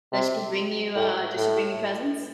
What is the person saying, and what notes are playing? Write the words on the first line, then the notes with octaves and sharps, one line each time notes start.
Does she bring you, uh, does she bring you presents?
C3
A2
A2